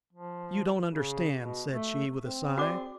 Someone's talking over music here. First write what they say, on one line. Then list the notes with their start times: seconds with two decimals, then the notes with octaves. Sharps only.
"You don't understand," said she, with a sigh.
0.13 F3
0.88 C#3
1.40 B2
1.70 A3
2.26 C4
2.58 F#4 G#4 D5 D6